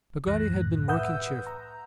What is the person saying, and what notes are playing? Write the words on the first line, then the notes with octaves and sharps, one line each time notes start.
Peggotty had been working cheerfully.
C2 F#2 E3 F#6 A#6
A2
B4 E5 F#5 D#6 E6 G6
A#5